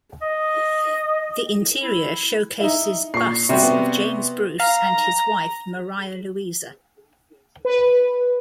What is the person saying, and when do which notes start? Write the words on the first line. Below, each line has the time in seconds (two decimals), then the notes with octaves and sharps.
The interior showcases busts of James Bruce and his wife, Maria Louisa.
0.22 D#5
1.82 E4
2.60 D#4 E4
3.14 A#2 C#6 C7
3.49 C3 G3 F#4
3.63 B3
4.60 F5 A#5
7.65 B4